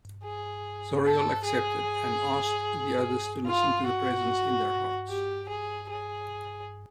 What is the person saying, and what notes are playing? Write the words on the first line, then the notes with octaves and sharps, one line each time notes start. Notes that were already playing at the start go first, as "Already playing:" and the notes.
Zauriel accepted, and asked the others to listen to the Presence in their hearts.
G#4
A4
G#4
F4
F#4
G4
G#4
G#4